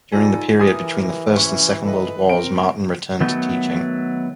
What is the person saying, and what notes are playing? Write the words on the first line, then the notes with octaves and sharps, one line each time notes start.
During the period between the First and Second World Wars Martin returned to teaching.
G3 D#4 F4 A4 G#5
E3 G4 A#4 G#5 D#6
C#4 E5 C#6
A4 B4 D#5
C4 A#4 D7
D#3 F#3 A3 B3